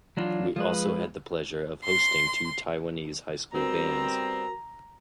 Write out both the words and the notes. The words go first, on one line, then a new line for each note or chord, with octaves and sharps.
We also had the pleasure of hosting two Taiwanese High School bands.
E3 F#3 D4 F4
F3 G#3 B4
C6
G3 B3 C4 F#4 A#4 A#5